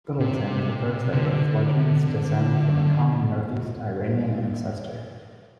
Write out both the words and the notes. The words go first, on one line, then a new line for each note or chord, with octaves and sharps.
Littleton proposed that both legends descend from a common northeast Iranian ancestor.
C3
D3
D3